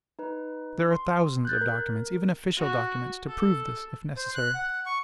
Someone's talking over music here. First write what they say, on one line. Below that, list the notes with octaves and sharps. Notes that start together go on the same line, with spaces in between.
There are thousands of documents, even official documents, to prove this, if necessary.
D#4 B4
C6
F#6 G6 A6
A#4
F#4
A4
C5
F#6
F#5
C#6